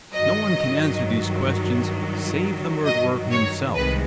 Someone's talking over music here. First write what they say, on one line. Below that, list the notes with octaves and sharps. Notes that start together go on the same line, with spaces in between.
No one can answer these questions, save the murderer himself.
G2 D#3 F#3 D#5
D#5
C#5
C2 C3 D#3 G#3 B4